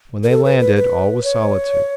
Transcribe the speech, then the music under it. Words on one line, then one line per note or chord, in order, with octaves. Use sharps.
When they landed, all was solitude.
A#4
A4
B4
B4
B4
C#5